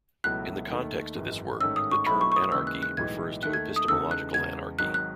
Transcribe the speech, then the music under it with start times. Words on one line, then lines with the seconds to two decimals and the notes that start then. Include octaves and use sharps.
In the context of this work, the term anarchy refers to epistemological anarchy.
0.24 C#2 B2 F#3 A3 E4 F#6
0.70 D#2 D#3 A3
1.15 G#1 F#2 E3 G#3
1.60 A1 G#2 D#3 A3 C#4 E6
1.76 D#6
1.91 C#6
2.06 B1 B2 F#3 A3 E4 B5
2.21 C#6
2.32 C#6
2.36 D#6
2.52 D#2 C#3 E3 G#3 E6
2.67 F#6
2.83 F#6
2.97 B1 A2 E3 G#3 D#4 G#6
3.43 D#2 D#3 A3 F#6
3.53 G#6
3.76 D#6
3.88 E2 C#3 G#3 D#4 A4 E6
4.11 F#6
4.34 E2 C#3 G#3 G#6
4.79 G#1 G#2 D#3 F#3 F#6
4.94 F#6